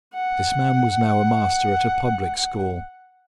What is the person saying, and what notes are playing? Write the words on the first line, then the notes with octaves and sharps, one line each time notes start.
This man was now a master at a public school.
F#5